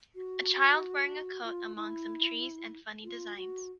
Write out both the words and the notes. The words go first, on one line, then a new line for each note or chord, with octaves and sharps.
A child wearing a coat among some trees and funny designs.
F#4
F4
E4
F4
F#4